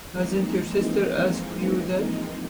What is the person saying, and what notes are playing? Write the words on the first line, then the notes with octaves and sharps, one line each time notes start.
Hasn't your sister asked you that?
E3 F3 G#3 A#3 C4 D#4